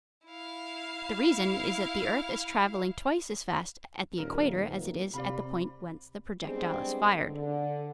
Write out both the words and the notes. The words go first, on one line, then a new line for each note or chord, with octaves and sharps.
The reason is that the earth is traveling twice as fast at the equator as it is at the point whence the projectile is fired.
E4 F5
D#1 D#4 F4 A#4
C3 D5 F5 B5
G3 G#3 B3 C4 D4 G#4
D3